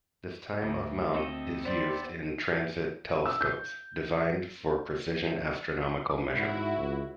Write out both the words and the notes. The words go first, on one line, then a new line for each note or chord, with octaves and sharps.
This type of mount is used in Transit telescopes, designed for precision astronomical measurement.
D2
C4 A4 D#5
B3 G4 C5 D5 E5
E6
G6
G#2 E4 F#4
C#2